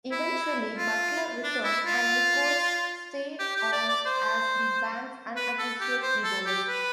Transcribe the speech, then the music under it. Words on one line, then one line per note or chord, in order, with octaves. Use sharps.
Eventually Butler returned and Nicholls stayed on as the band's unofficial keyboardist.
E4
F4
D4
E4
F4
G4
G4
D5
D5
C5
B4
A4
G4
C5
A4
G4
B4